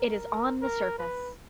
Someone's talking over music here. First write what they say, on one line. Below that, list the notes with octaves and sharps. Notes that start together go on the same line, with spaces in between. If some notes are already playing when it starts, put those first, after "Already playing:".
It is on the surface.
Already playing: A#4
A#4
B4